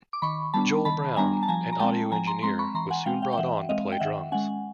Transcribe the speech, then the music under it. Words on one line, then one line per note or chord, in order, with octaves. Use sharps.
Joel Brown, an audio engineer, was soon brought on to play drums.
D6
D#3 B5 C#6
G3 B3 D4 A5 B5
D#3 A5 B5
G3 B3 D4 G#5 A#5
A5
F3 G#5 A#5
A#5
G#3 C4 G5 A5
F3 G#5 A#5
A#5 C6
G#3 C4 A#5 C6
B5 C#6
E3 A#5 C6
F#5 G#5
G#3 C4 F5 G5
F5 G5
G5
E3 E5 F#5
G#3 C4 D#5 F5
G5
D#3 E5 F#5
G#3 C#4 F#5 G#5